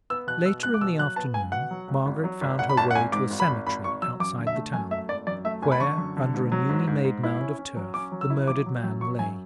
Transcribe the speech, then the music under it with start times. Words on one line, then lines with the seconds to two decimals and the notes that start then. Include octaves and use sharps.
Later in the afternoon, Margaret found her way to a cemetery outside the town, where, under a newly-made mound of turf, the murdered man lay.
0.10 B3 E6
0.27 B2 F#6
0.45 B2 E6
0.63 C#2 F#6
0.74 D6
0.81 B2 E6
0.99 F#3 F#6
1.16 B3 A5
1.34 C#2 G#5
1.52 B2 F#5
1.71 F#3
1.88 C#2
2.06 G#1
2.24 F#3
2.41 G#1
2.59 G#1 F#5
2.69 B5
2.77 G#1 A5
2.91 F#5
2.95 G#1 G#5
3.12 G#2 D6
3.31 G#1
3.40 B5
3.49 G#1
3.67 G#1 B5
3.84 G#1 C#6
4.02 F#3 E6
4.20 F#2 D6
4.38 D3
4.47 E5
4.55 A3
4.73 F#2 G#5
4.91 A3 E5
5.09 G#1 D5
5.27 F#2 D5
5.45 A3 E5
5.62 G#1 G#5
5.72 B5
5.80 D3 C#6
5.98 F#2
6.17 D3
6.34 G#2
6.52 F#3
6.69 G#2
6.87 G#2
7.05 G#2
7.23 E4
7.41 C#4
7.59 C#4
7.76 F#3
7.94 C#4 D6
8.12 F#3
8.21 E6
8.30 E4
8.48 F#3 D6
8.66 F#3
8.84 F#2
9.01 F#3 C#6
9.19 F#2 G#5